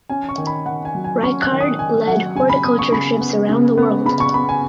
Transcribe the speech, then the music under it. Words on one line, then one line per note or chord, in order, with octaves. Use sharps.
Reichard led horticulture trips around the world.
C#4 G#5
C#6
D#3
B5
D#3 F#5
G#5
F#3
G#5
C#4 C#6
F#6
D#3
D#6
D#3 G#5
F#3 F#5
C#3 G#5
B5
B3 D#6
C#6
C#3 B5
B3
C#3
B3
C#3 B5
C#6
B3 B5
G#5